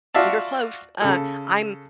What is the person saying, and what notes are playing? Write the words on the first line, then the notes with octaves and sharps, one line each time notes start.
You're close. Uh, I'm
F4 F#4 D5 E5 F5 A5
C#3 A4